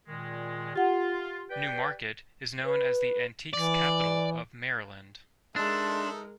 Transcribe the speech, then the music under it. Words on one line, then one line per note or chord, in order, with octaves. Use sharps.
New Market is known as the Antiques Capital of Maryland.
A#2 D#3 G#3
F4 G4 F#5
B4 D5 G5
B4
E3 D5
G#3 D4 D#4 A4 A#4 E5 C6